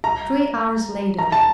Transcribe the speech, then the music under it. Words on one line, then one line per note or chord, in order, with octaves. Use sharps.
Three hours later.
A#5
A#5
A5